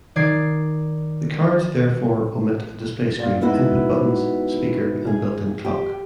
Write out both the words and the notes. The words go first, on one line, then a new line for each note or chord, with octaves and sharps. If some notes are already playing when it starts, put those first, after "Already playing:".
The cards therefore omit a display screen, input buttons, speaker and built-in clock.
D#3 D5 G#6 C7
A#2 F5
G#3 B3 D#4 E4 F#4
G#4
G4